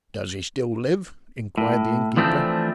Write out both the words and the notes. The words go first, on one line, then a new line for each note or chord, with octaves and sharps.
"Does he still live?" inquired the innkeeper.
A2
E3 F3 A3 C4 D4